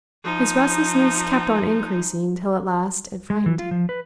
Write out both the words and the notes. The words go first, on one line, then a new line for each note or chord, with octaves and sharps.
His restlessness kept on increasing till at last it frightened him.
F3 D#4
G#3
E3
F4
F3
B4